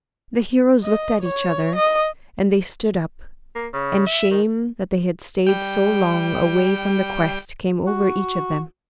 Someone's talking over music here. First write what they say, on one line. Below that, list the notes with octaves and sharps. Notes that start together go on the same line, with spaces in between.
The heroes looked at each other, and they stood up, and shame that they had stayed so long away from the quest came over each of them.
D#5
C#5
D#5
A#3
C#3
E5
D#3
G3 G5
F#4